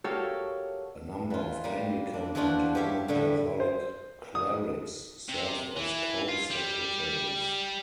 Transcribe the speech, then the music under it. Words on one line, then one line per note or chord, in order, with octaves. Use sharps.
A number of Anglican and Roman Catholic clerics served as co-secretaries.
F#4 G4 A4 A#4 C#5 F5
E3 F4
G3 A#3
D4
E3 F3 A#3 D4 F4 F#4
G4 C#5 E5 F5
A2 D3 G3 A3
C5
D#6
C3
E3
F4
G3